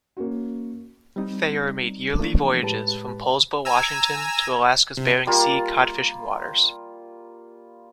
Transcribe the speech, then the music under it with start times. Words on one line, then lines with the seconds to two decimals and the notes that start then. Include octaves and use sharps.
Thayer made yearly voyages from Poulsbo, Washington, to Alaska's Bering Sea cod-fishing waters.
0.17 A#3 C#4 F#4
1.16 G3 C4 D#4
2.19 E3 F3 A3 A#3 D4
2.62 A2 G#3 G4 B4 A5
3.65 G#5 A#5 E6
4.97 C3
5.27 G3 A#3 F4